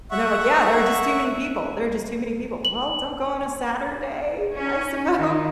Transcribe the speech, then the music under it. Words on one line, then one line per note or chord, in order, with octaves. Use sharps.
And they're, like, "Yeah, there are just too many people, there are just too many people." "Well, don't go on a Saturday, I suppose.
E5 F#5 C#6
F#7
C#4
D#3